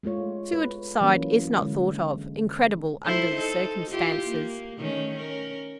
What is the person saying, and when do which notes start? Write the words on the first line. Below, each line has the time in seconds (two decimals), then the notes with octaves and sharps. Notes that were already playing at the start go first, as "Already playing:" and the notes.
Suicide is not thought of--incredible under the circumstances.
0.03 G#3 A3 F4 C#5
0.53 B4
1.01 E3 F#3 A#3 C#4
1.60 D3 G#3
3.05 E4 A4 C5
3.35 D#4 A4
3.91 E4 F4 G4
4.28 A#3
4.78 D#3 A3 C#4
5.16 C#4 A#4